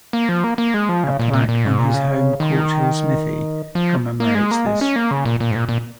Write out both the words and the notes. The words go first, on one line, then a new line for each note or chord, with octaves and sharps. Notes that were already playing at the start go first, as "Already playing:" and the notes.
A plaque on his home, Courthill Smithy, commemorates this.
A#3
F3
A#3
A#3
G#3
F3
C#3
A#2
A#2
A#2
G#2
A#2
C#3
D#3
F3
A#3
G#3
A#3
G#3
C#4
A#3
C#3
A#2
A#2
G#2
A#2
A#2